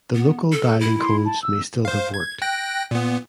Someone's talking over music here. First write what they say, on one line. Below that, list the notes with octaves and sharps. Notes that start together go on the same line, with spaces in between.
The local dialling codes may still have worked.
B3
A4
E4
C6
A5
E6
C5 F5
G#6
G5 F#6 A#6
A#2 B3